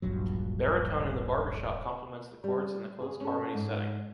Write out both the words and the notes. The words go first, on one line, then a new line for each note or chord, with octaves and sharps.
Baritone in the Barbershop complements the chords in the closed harmony setting.
D1 A#1 G2 F#3
G3
G#4
C#4 A4
G#2